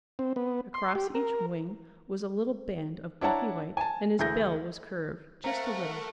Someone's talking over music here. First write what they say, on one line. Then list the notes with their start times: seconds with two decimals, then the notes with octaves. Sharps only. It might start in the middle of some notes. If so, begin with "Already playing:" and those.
Across each wing was a little band of buffy-white, and his bill was curved just a little.
0.19 C4
0.36 B3
0.74 C6
0.95 G4
1.15 A#4
3.21 D4 E4 C#5 F#5 A5 A#5
3.77 G#5 A5
4.19 D2 E3 E4 G#4 G6 A#6
5.44 A3 C4 A#4 F5 F#5 A#5